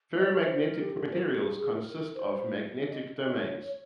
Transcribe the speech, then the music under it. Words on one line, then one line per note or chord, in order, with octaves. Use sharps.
Ferromagnetic materials consist of magnetic domains.
D#5
C#5
C5
A#4
G4
A#4
C5
A#4
G#4
G#4
A#4
C5
D#5
C#5
C#5